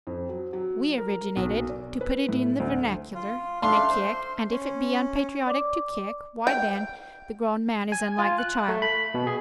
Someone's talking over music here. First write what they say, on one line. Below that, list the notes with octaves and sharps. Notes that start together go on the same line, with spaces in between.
We originated, to put it in the vernacular, in a kick, and if it be unpatriotic to kick, why then the grown man is unlike the child.
F2
F#3
F#3
A#4
B1
D5
B4
A2
D2
F4
A3 D4 F5 C6
C5
C#4
D5 D6
G5
G#5
F4
F#6
A3
B5
B2
G#4